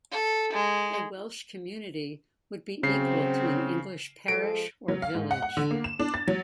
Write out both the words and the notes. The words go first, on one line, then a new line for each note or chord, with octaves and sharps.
A Welsh community would be equal to an English parish or village.
A4
G#3
C#3 F#3 C4 C7
F3 G#3 A4 D7
F#3
F5
G#2
F#5
F#5
D3
A#3
E7
D4
A6
F#3